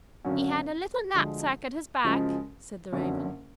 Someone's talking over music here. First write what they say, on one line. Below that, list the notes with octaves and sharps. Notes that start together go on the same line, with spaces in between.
"He had a little knapsack at his back," said the Raven.
G#1 F#2 D3 F#3 C#4
D2 D3 F3 G#3
F#2 C#3 F3 G#3
F#1 F2 D3 F#3 C#4